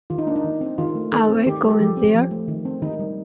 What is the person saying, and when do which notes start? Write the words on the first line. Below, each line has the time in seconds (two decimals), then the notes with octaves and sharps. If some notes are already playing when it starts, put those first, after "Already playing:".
Are we going there?
0.10 D#3 F4
0.18 D#4
0.27 A#3 D4
0.36 D#4
0.44 D#3
0.61 C4
0.78 D#3 F4
0.95 A3
1.13 D#3 A4
1.29 C4
1.46 D#3 G4
1.63 G3
1.70 A4
1.80 F3 G4
1.97 C4
2.15 F3
2.31 A3
2.48 D#3
2.65 C4
2.82 D#3 D#4
2.99 G3